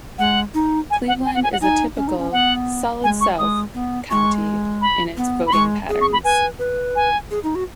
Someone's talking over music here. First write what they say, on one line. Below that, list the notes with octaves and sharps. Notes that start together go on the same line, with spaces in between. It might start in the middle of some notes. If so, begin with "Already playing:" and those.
Cleveland is a typical "Solid South" county in its voting patterns.
G#3 F#5
D#4
G#5
F#5
G#5
F#5
G#5
F#5
D#4 G#5
C#4
D#4
C#4
B3 F#5
G#3 G#5
C#6
G#3 D#6
B3
G#3 C#6
B5
B3
B5
G#3 C#6
G#4
C#6
B5
B4 G#5
B4
G#5
G#4
D#4
F#4